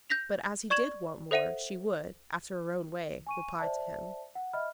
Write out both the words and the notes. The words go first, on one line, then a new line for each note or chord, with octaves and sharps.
But as he did want more she would, after her own way, reply to him.
G6 A#6 B6 F7
D5 C#6 G#6 E7 F#7
A4 C5 E5 F#5 D#7
G#5 C#6 D#7
C5 D5 E5 A5
F#5
D#5 E5 B5 F6